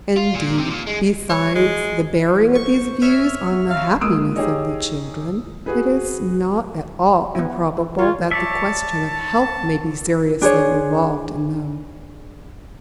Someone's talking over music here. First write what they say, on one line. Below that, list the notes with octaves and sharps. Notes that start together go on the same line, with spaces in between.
Indeed, besides the bearing of these views on the happiness of the children, it is not at all improbable that the question of health may be seriously involved in them.
F4
A#2
C3
A#2
G#3
C#5
G#3
C5 C#6
C#5 E5 F6
B3
F5
G#3 A#3 D#6 E6 D7
D#4 G4 G#4 C#5 D#5
F#4 G#4 B4
B3 E4
E3
F4 A#4 C#5
C#5 D5 E5 A5
D4 G#4 C5 C#5